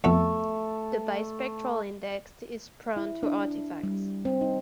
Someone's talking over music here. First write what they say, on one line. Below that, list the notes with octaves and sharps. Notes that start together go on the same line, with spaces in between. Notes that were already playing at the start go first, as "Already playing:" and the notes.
The bispectral index is prone to artifacts.
F2 A3 B3
E4
D4
G3
C4
D#4